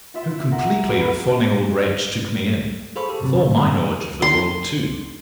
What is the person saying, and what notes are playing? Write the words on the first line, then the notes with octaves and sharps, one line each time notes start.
How completely the fawning old wretch took me in--with all my knowledge of the world, too!
F4 E5 C6
A#4 F#5
A#3 B3 F#4 E5
G#4 A4 C5 F5 B5 C#6
G4 A4
C3 F#3 C4
E2 B2 D3
G2 G3 A#3
C6